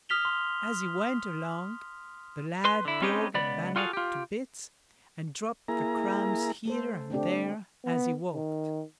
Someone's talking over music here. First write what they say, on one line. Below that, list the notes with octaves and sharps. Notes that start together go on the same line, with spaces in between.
As he went along the lad broke a bannock to bits, and dropped the crumbs here and there as he walked.
D#6 F6 B6 F7 G7
C6
B4 C6
D3 E4
C4 C#4 D#4 G4 G#4 B4
C#2 B3 D5 B5
F4 F#4 G#4 A4 F5
F4 G4
A#3 E4 G#4 A#5
A3 A4 C5
D3 A3 C4 D4 G4
B3
D#3